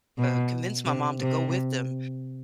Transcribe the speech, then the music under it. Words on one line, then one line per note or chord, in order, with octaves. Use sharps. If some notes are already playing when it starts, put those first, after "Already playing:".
uh, convince my mom to go with them,
B2
C3
C3